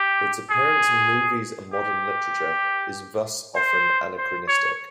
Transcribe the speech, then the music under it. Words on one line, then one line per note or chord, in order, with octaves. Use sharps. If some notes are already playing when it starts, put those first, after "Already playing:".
Its appearance in movies and modern literature is thus often anachronistic.
Already playing: G4
G#4
G4
C5
C5
C#5